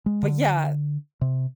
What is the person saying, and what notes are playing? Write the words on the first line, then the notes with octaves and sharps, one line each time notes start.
But yeah
G#3
D3
C3